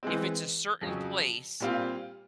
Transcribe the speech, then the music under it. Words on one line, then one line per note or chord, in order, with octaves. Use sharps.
if it's a certain place
E3 G#3 C4
F2 C#3 F#3
A#2 G3 C4 F4